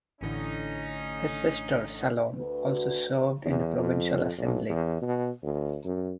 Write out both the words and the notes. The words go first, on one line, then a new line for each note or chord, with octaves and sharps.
His sister Salome also served in the provincial assembly.
A1 A2 D3 C#4 D#4
D2 F#4 B4
E2
F2
B1
E2
B2
D2
F#2